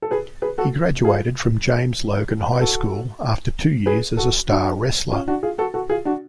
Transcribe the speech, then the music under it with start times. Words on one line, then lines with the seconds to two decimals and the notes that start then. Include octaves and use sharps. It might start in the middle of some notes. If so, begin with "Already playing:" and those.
He graduated from James Logan High School after two years as a star wrestler.
0.02 A4
0.11 G#4 B4
0.42 G#4 B4
0.58 F#4 A4
1.05 F4 G#4
2.52 B4
2.61 F#4 A4
3.86 G#4 B4
4.17 F#4 A4
4.49 D4 F#4
5.12 C#4 F4
5.28 D4 F#4
5.43 F4 G#4
5.58 F#4 A4
5.74 F#4 A4
5.90 F4 G#4
6.05 D4 F#4